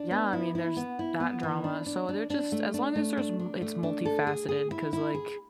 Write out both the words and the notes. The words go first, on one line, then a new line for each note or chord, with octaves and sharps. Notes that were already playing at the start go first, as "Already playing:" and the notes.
Yeah, I mean, there's that drama. So, they're just as long as there's m it's multifaceted, 'cause, like
Already playing: D4
B3
E4
E4
B3
E4
B3
E3
D4
D4
D4
D4
A3
D4
A3
D4
D4
A3
D4
A4
G#4
G#4
E4
E4
G#4